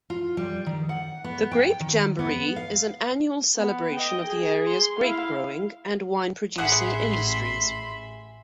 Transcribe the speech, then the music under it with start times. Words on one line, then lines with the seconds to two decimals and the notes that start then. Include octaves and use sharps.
The Grape Jamboree is an annual celebration of the area's grape-growing and wine-producing industries.
0.10 F4
0.37 G3
0.66 D#3
0.89 F#5
1.24 B3
1.51 G5
1.80 D#3
2.19 B3
2.56 F5
3.57 B3
3.94 D#5 G5
4.27 G#4
4.66 C6
4.99 E4 F5
6.58 A1 G#4 E5 F#5 B5 C6 D#6